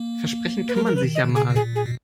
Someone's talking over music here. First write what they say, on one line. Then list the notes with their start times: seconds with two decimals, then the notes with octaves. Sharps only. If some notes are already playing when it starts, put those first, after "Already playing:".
Versprechen kann man sich ja mal.
Already playing: A#3
0.69 B4
0.75 F#3 A#4
0.86 A#4
0.96 B4
1.03 D#3
1.15 D#5
1.24 D#3
1.29 C#3
1.36 G#4
1.50 B2
1.55 A#2 G#4
1.75 G#4
1.86 B2